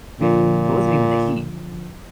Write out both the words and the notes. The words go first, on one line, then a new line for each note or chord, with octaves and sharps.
it wasn't even the heat.
A#2 D3 F3